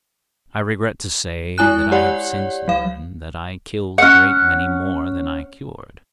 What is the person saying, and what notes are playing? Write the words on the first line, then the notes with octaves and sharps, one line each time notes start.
I regret to say that I have since learned that I killed a great many more than I cured.
G#3 E4 G#5 F#6
G4 C#5 D5 F#5
F#3 F5
C#4 F#5